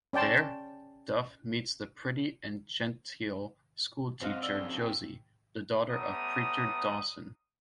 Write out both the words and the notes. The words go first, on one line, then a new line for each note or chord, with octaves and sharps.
There, Duff meets the pretty and genteel schoolteacher Josie, the daughter of Preacher Dawson.
C#4 D5 G5 A5 C6
F#2 C4 F#4 D#5 F5
A4 D5 E6 G7
F2 C#3
C#3 G4
G3 A3 B3 C#4 A#5 D#6